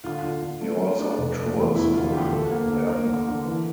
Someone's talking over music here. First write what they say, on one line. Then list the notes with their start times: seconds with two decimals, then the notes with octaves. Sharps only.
He also tours with them.
0.04 D3 F4
0.23 D3
0.42 D3
0.61 A3
0.81 A3
0.99 D4
1.18 F1
1.38 A3
1.56 E2
1.75 E2 E4
1.94 D3 F4
2.13 D3 G4
2.32 D2 A4
2.51 A#3
2.70 D3
2.89 A#3 A#4
3.08 D3
3.27 D3
3.45 E3